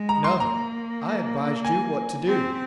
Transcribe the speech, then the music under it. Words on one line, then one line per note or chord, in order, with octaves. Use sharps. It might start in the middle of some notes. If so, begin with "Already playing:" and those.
"No, I advised you what to do!"
Already playing: G#3
A#5
C6
A#3 A#5
G#5
C4